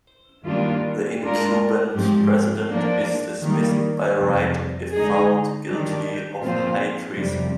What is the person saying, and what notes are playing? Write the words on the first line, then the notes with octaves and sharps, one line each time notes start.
The incumbent President is dismissed by right if found guilty of high treason.
D#3 G3 A#3 D4 F4
G#3 D4 F4 A#4
G#2 F3 C4 G4
F3 A#3 D4
D#3 G3 A#3
F2 C3 G3
D3 G#3 D#4 G#4
D#3 G3 D4
A#2 F3 C4 F4 C5
F2 C3 G3